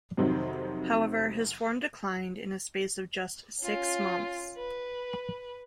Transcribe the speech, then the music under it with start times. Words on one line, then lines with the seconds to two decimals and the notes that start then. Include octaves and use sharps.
However, his form declined in a space of just six months.
0.17 F2 C3 D#3 F#3 C4
3.62 C#4 F4
4.57 B4